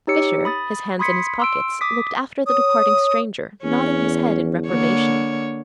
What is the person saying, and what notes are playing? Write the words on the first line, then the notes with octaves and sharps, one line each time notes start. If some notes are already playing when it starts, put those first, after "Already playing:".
Fisher, his hands in his pockets, looked after the departing stranger, nodding his head in reprobation.
D#4 G4 C#5 E6 C#7
B5 D#6 A6
B5 C6 D#6 G#6 B6 C#7
C6 E6 D7
D6 D#6 B6
C#5 D#6
E2 C#4
D3 A#3 C#5